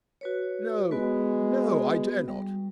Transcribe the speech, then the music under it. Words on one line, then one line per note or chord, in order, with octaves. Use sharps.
"No--no, I dare not."
F#4 B4 C#5
G#3 B3 F#4 B4
G3